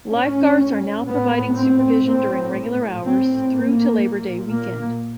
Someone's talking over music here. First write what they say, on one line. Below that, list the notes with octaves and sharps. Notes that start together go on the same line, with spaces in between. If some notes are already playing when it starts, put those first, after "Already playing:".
Lifeguards are now providing supervision during regular hours through to Labour Day weekend.
A2 C#4
A2 B3
C4
A2 C4
A2 C4
A#3
A#2
A#3